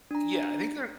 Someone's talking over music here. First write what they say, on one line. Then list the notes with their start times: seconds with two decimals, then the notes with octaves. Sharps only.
Yeah, I think they're
0.11 D4 A#5